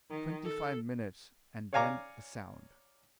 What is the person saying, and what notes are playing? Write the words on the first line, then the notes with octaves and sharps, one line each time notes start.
Twenty-five minutes, and then a sound.
D#3
A4
C#5 D5 F5 G#5 A#5 D6